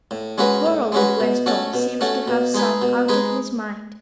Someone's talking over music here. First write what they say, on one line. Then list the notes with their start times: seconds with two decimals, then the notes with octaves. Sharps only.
The quarrel with Westall seemed to have sunk out of his mind.
0.11 A2
0.38 G#3 C#4 F#4 B4
0.66 A2
0.92 G#3 C#4 F#4 B4
1.20 B2
1.46 A3 C#4 F#4 A4
1.74 B2
2.01 A3 C#4 F#4 A4
2.28 B2
2.54 G#3 D#4 G#4 B4
2.82 B2
3.08 G#3 D#4 G#4 B4